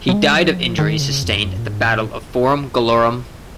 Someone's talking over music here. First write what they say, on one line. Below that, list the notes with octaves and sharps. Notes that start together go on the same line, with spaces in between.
He died of injuries sustained at the Battle of Forum Gallorum.
F#3
G#3
F#3
F3
D#3
C#3
F2
G#2
F#2
A#2
G#2
A#2